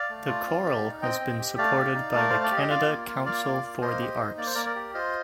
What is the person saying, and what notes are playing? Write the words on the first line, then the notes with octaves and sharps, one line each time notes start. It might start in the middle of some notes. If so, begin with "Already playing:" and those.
The Chorale has been supported by the Canada Council for the Arts.
Already playing: D5 F5
A3
F4
C4
G4
D#4
C4 D#5 G5
C4
G4
A3 D5 F5
G4
D#4
A3 A#4
A3 C5
D5
G4 D#5
F4 D5 F5
A#3
F4
A#3 D5 F5
F4
A#3
A#3 C5 D#5
G4
D#4
A#3 D5
C5
A#3 A#4 D5
A#4 D5
G4
F4 C5 D#5